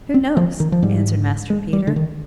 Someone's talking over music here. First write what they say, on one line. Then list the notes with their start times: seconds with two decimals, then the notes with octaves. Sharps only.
'Who knows?' answered Master Peter.
0.14 C4
0.37 F3
0.60 D#3
0.72 F3
0.82 G#2 G3
1.50 G#3
1.73 G3
1.87 D3
1.96 D#3